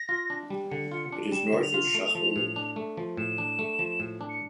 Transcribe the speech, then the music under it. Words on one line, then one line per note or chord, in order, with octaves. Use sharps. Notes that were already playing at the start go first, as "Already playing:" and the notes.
It is north of Shahrud.
Already playing: A#6
F4
D4
G3
D3 C#7
F4
D4
G3 E7
D3
F7
F4
A3
F3
A2
D4
A3
F3
A2 E7
D4
A3
F3
A2
D4
C#7